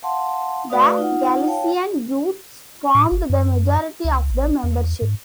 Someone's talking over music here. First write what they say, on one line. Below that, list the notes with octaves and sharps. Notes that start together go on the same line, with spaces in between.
The Galician youths formed the majority of the membership.
F5 F#5 A5 C6
A3 F#4 B4 D5 F5 D#6
D#4 F4 F#5
C#5 F5 G5 A5
A2
G1
F#2
C#2
A1
E2
G#2